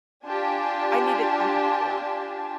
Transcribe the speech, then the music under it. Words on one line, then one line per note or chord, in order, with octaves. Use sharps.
I needed time to cool off.
D4 F4 G4 G#5 A5